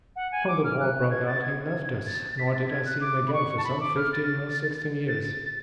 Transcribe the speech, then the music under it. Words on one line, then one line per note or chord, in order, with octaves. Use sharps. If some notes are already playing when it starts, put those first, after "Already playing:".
When the war broke out he left us, nor did I see him again for some fifteen or sixteen years.
F#5
G#5
D6
F6
F#6
G#6
A6
G#6
A6
B6
A6
G#6
F#6
D6
B5
C#6
A5
B5
D6
F6
A6
A6